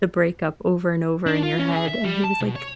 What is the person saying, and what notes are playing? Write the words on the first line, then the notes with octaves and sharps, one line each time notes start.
the breakup over and over in your head." And he was like,
D4
F4
C#4
G#4
E5
G3
A5
B2
C#5